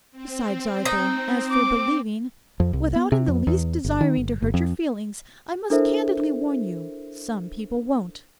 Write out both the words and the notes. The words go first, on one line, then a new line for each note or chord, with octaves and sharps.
Besides, Arthur, as for believing--without in the least desiring to hurt your feelings--I must candidly warn you, some people won't.'
C4
D#4
D6
F2
C2
B3
C3
F2
E2
G1
D#3
G1
G1
F2
D4 E4 A4 A#4 C5 E5